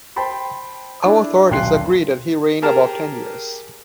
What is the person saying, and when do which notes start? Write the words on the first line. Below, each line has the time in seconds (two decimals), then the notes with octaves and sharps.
All authorities agree that he reigned about ten years.
0.16 C5 G5 A5 B5 C6
1.05 D4 E4
1.50 D#1 B1 G5 C6 F#6 C7
2.62 G4 G#4 A#4 A5 F6